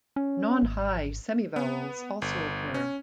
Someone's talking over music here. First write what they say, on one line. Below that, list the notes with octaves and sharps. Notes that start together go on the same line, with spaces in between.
Non-high semivowels also occur.
C#4
G#1
B3
G1
C#4